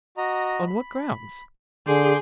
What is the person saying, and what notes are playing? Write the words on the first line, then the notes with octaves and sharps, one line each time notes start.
"On what grounds?"
F#4 D#5 A#5
B5
D3 G#4 C6 D6 G6